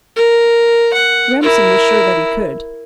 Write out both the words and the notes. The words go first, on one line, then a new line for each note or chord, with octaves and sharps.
Remsen was sure that he could.
A#4
F#5
E4 A#4